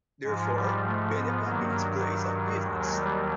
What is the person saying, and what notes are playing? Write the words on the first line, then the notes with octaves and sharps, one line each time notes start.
Therefore, "Banepa" means 'Place of Business'.
G#2 F3 G#3
G3
A3
B3
G2 D#3 F#3 A#3
D#2 D#3 F#3 G#3
G3